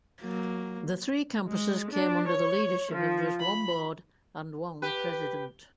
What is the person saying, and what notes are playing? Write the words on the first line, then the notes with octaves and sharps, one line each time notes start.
The three campuses came under the leadership of just one board and one president.
F#3 A#3
G#3
D4
C#5
F3
B5
G4 B4